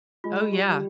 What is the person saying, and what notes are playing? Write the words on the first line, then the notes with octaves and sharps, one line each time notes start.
Oh, yeah.
G#3 F4
G3 G4